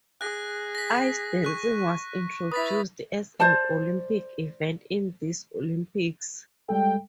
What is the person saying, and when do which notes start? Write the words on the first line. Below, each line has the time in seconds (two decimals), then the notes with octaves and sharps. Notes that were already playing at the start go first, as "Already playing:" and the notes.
Ice dancing was introduced as an Olympic event in these Olympics.
0.21 G#4 F#6 A#6
0.75 A#6 B6
1.45 C#6 F#6
2.52 E4 B4 D#6 A6 B6
3.40 C5 D5 A5
6.69 G3 G#3 A4 G5